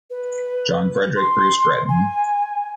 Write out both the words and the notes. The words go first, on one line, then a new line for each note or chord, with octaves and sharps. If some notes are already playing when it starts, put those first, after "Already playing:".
John Frederick Bruce Gretton.
B4
C6
G#5